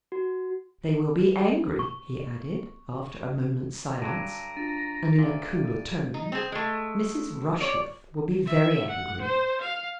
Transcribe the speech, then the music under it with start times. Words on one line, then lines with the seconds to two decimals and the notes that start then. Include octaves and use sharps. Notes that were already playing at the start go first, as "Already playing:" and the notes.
They will be angry," he added, after a moment's silence, and in a cooler tone; "Mrs. Rushworth will be very angry.
0.12 F#4
1.79 C#6
4.02 G2 D3 F#3 A#5 C#6 D7 D#7
4.57 D4 F4 A6 D#7
5.19 D2 A#2
6.14 D#4
6.32 C4 G#4
6.52 G#3 A3
7.61 C#5 D5
8.46 E5
8.88 F#5
9.21 C5
9.61 F5